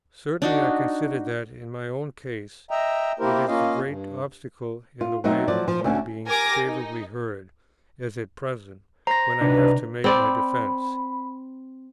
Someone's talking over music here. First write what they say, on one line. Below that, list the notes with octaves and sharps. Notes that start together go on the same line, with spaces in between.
Certainly I consider that, in my own case, it is the great obstacle in the way of my being favourably heard, as at present, when I have to make my defence.
D4 D#4 F#4
D#5 E5 G5 A#5
A#3 E4 G4 A#4 C5
A#3 C#4 F4 D#5 F5
G2
F4
F#3 A3 C4 D#4
F3 F#3 D5
F3
D2 A3 C#4 D4 F#4
G4 A#4 G#5 D6 A#6
D#4
C5 A#5 A#6
C3 F#3 D4 D#4 B4
C4 D5 B5